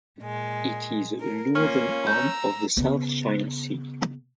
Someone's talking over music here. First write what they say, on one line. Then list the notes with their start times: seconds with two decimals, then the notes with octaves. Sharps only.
It is a northern arm of the South China Sea.
0.20 A#2 G#3
1.19 A#4
1.55 A#3 C#4 F4 C#6 F6
2.07 A#5 E6 G6
2.77 C#3 B3